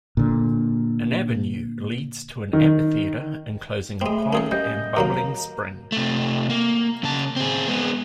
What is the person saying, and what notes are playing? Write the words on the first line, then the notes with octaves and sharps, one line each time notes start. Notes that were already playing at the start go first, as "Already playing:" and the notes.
An avenue leads to an amphitheatre enclosing a pond and bubbling spring.
A#2 D3
D#3
G#3 A3 C4
A#3 C#4 G#4 A4
G3 D#5 G6
D#2 F#3 A#3 A#5
C3 A3
A#3
C#3 A5
C4 G#4
G#3 B3